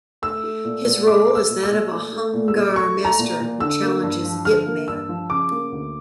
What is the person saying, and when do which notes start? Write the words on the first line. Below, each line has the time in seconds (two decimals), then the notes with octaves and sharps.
His role is that of a Hung Gar master who challenges Yip Man.
0.22 A3 E6
0.44 A3
0.65 A#2
0.86 A#2
1.07 A3 D6
1.28 A3
1.35 E6
1.49 A#2
1.63 E6
1.71 A#2
1.92 A3
2.13 A3
2.34 A#2
2.48 E6
2.55 A#2
2.76 A3 C#6
2.97 A3
3.05 A#5
3.19 A#2
3.40 A#2
3.60 D3 E6
3.82 A#3
4.03 G2
4.24 F3
4.45 D3 F6
4.66 A#3
4.88 G2 E6
5.09 F3
5.30 C#3 D6
5.51 A#3
5.72 D2